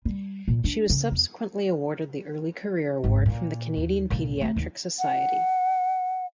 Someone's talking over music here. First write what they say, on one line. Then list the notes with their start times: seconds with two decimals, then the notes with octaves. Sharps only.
She was subsequently awarded the Early Career Award from the Canadian Paediatric Society.
0.05 G3
0.48 A#2
0.64 D4
0.90 C#3
1.12 E2
3.04 G#1 C#2
3.26 A#2
3.76 D#2
4.10 C2 A#2
4.41 A3 C4
4.56 D#2
4.99 F#5